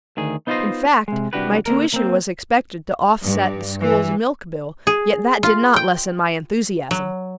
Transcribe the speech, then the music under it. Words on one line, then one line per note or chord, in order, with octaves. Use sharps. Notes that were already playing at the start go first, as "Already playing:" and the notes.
In fact, my tuition was expected to offset the school's milk bill, yet that did not lessen my enthusiasm.
D2 D#3 G#4
B3 D#4 F4 B4 C5 D#5
C3 G#3
C2 G#2 D4 F#4 G4 B4
D3 A#3 A#4
A#3 C4
G2
E3
G#4
F4
G5
F#3